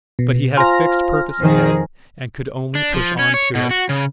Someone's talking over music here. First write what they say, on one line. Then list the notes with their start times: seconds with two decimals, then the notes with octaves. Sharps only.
But he had a fixed purpose ahead and could only push on to it.
0.19 B2
0.57 F4 C5 F5 G#5 A#5 C6 F6 A#6
1.40 F2 D#3 G#4 C5
2.75 D4
2.94 F3
3.19 C#4
3.34 C#5
3.55 B2
3.71 F#4
3.89 C#3